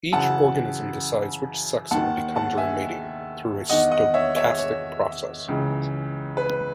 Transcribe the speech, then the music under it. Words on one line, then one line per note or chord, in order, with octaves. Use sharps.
Each organism "decides" which sex it will become during mating, through a stochastic process.
F#2 C#3 E3 F#5 A5
D#2 D#3 F#5 A5
F#5 A5
E5 G#5
E2 D#3 D#5 F#5
D#5 F#5
C#5 E5
C#5 E5
C#5
C#2 C#3 E3
B4